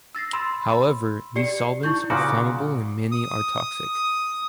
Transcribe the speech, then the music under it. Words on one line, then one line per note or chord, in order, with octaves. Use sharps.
However, these solvents are flammable and many are toxic.
E6 A6 A#6 C7
B5 C6 E6
G4 D5 C7 C#7
D#4 E4 C#6 G6
A#2 C#3 F#4 D6
D#6